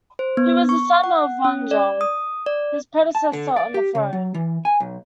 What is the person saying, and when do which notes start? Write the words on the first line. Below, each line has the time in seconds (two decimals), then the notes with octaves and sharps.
He was the son of Wonjong, his predecessor on the throne.
0.19 C5
0.37 B3
0.69 C#6
1.04 F#5
1.45 C#4
1.71 D5
2.01 D#6
2.46 D5
3.15 A5
3.33 D3
3.56 D5
3.74 G4
3.95 C#3
4.13 F#3
4.34 E3
4.65 G#5
4.80 B1